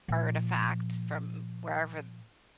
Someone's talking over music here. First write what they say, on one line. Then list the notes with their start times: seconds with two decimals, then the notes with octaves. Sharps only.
artifact from wherever
0.08 A#2 F3